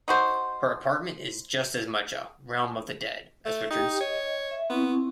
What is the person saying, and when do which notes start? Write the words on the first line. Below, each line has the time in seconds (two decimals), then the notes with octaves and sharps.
Her apartment is just as much a "realm of the dead" as Richard's.
0.08 D#4 F#4 C5
3.46 A3
3.71 D#4 G4 G5
4.01 C#5 D#5
4.51 E5
4.70 B3 C4 E4 C#6